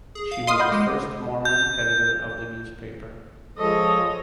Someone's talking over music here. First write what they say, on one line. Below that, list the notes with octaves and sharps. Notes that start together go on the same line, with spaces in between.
She was the first Mormon editor of the newspaper.
G#4
F5
D#5 C6 D#6 F6 C7
D#5 F#5 B5 G6
G#3 D6
G6
F3 G#3 A4 C#5 D#5